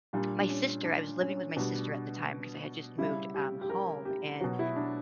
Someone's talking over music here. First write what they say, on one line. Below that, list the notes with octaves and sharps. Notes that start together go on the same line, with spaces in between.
my sister I was living with my sister at the time 'cause I had just moved, um, home, and
A#2 G3 D4
D4
C#4
D4
C#4
B2 G3 D4
C#3 G3 E4
G4
G4
A#4
G4
B2 F#3 F#4
E4
D4